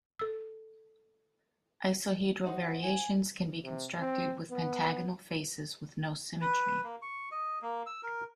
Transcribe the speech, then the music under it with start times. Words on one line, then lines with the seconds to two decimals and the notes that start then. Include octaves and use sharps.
Isohedral variations can be constructed with pentagonal faces with no symmetry.
0.19 A4 E6
2.46 D#4 F#4 C5
2.83 G#5
3.64 C3
3.99 C4
4.51 B3
6.41 B4
6.84 A#3
7.02 C#6
7.31 D#5
7.62 A#3
7.86 E6
8.03 A#4